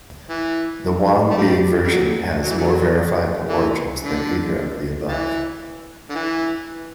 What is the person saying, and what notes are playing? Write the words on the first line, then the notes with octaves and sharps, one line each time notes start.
The "Wang Bi Version" has more verifiable origins than either of the above.
E3
A3
G3
G3
F#3
F#3
E3
D3 F#3
E3
D3
E3
D3
E3